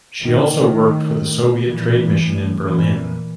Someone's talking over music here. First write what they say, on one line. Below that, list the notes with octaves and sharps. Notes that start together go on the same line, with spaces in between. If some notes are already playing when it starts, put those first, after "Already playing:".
She also worked for the Soviet Trade Mission in Berlin.
A#2 D#3
A2
A2
A#2 E3
A2
A#2 E3